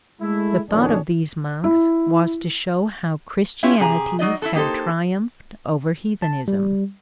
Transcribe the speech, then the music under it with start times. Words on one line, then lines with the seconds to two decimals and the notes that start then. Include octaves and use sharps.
The thought of these monks was to show how Christianity had triumphed over heathenism.
0.22 G#3 A3 E4
0.70 A#1 F2 D#3 D4 G#4 C#5
1.64 E4
3.63 C#4 E4 F4 G4 C#5
3.80 C3 G4 G#4 A5 A#5
4.19 F#3 D#4 D5 D#5
4.42 E4 F#4 A4
4.55 A#3 D#4 G4 A4 C5
6.22 A5
6.48 G3